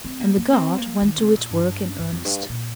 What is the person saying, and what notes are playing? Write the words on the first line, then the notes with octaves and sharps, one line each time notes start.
And the Guard went to its work in earnest.
C4
A#3
A#3
C4
A#3
D#3
C3
A#2
G2
G2
F2
G2
A#2